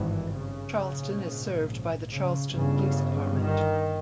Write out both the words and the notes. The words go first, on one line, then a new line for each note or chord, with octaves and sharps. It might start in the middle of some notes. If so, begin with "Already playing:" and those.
Charleston is served by the Charlestown Police Department.
Already playing: G#1 G2 E3
C#3
A#1 G#2
C#3
G1 G2 C#3
D#3